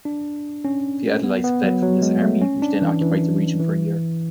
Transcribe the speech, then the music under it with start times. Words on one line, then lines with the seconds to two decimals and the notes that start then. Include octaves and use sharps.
The Adalites fled from this army, which then occupied the region for a year.
0.05 D4
0.65 C#4
1.24 B3
1.44 B3
1.63 F#3
1.82 F#3
2.02 G#3
2.22 A3
2.42 C#4
2.62 D4
2.82 E3
3.01 E3
3.60 E3